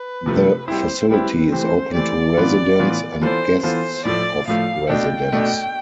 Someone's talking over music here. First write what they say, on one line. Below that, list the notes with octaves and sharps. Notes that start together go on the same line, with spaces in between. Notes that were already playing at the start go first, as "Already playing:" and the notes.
The facility is open to residents, and guests of residents.
Already playing: B4
C3 F3 A3
G3 C4 E4 C5
G3 C4 E4 B4
E3 A3 C4 G4 C5
E3 A3 C4 G4 D5
A2 E3 B3 F4
A2 E3 B3 F4
E3 B3 F4 A4 C5
E3 B3 F4 A4 C5
A2 F3 A3 D5
A2 F3 A3 F5
B2 A3 D4 G5
B2 A3 D4